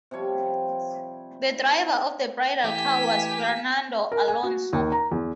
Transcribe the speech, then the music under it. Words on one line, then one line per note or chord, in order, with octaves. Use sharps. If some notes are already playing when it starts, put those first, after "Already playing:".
The driver of the bridal car was Fernando Alonso.
C3 F3 G3 C#5
E3 A3 G4 G5 G#5 B6
A#4
G#5
F#4
D#2
A#5
E2